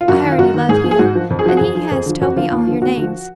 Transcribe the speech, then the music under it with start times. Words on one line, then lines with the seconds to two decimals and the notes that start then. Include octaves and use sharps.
I already love him, and he has told me all your names.
0.01 F4
0.08 F#2 F#4
0.24 D#3
0.32 F4
0.38 F#2 F#4
0.54 D#3
0.69 G#2 G#4
0.84 F3
0.91 G#4
0.99 G#2 F#4
1.15 F3
1.30 F2
1.39 G#4
1.45 F3 F#4
1.57 F2 G#4
1.75 F3
1.91 F2
2.06 D3 F3
2.21 F2 F#4
2.36 D3 F3 F4
2.52 D#2
2.67 D3 F3
2.82 D#2 F#4
2.97 D3
3.02 F3